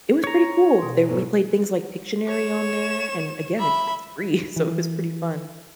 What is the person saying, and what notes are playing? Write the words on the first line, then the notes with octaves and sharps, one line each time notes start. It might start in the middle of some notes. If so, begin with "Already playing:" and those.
it was pretty cool. They we played things like Pictionary on there. And, again, it's it's free, so it was pretty fun.
C#5 A#5
B2 C6
G#2 B2 A3
C#5 E7
E5 B5
E3